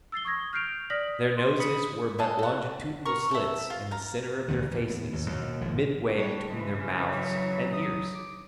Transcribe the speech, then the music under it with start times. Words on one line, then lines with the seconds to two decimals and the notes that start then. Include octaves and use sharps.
Their noses were but longitudinal slits in the center of their faces, midway between their mouths and ears.
0.12 E6 A6 C7 G7
0.25 C#6 D#6 G#6 A#6
0.53 F6 G6 C7 D7 F7
0.90 D5 D#6 F6 A#6 B6 F#7
1.37 C6
1.60 B5 D#6 B6 C#7 F#7
2.19 G#4 A4 D#5 A5
2.39 A4 F#5
3.05 A#4 C#6
3.31 A4 E5
3.70 F4
3.91 F5 A#5
4.48 C#2 A#2 D3 D#3
4.71 D2 A2 E3
4.90 A2 B3
5.13 D#2
5.26 D#2 B2
5.61 G#1 A2 F3
6.13 G3 D4 C#5
6.48 C#3 E3 G#3
6.80 C#4
7.12 F#3 C#5
7.73 D#6
8.15 D6